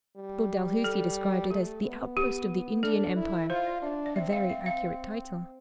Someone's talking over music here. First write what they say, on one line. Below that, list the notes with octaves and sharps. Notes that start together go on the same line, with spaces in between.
Lord Dalhousie described it as "the outpost of the Indian Empire"--a very accurate title.
G3
A4
A3 G4
B3
G4
D4 A4
E4
F4 C5
D5
D4 E5
D5
C4 E5
F5
E5
F5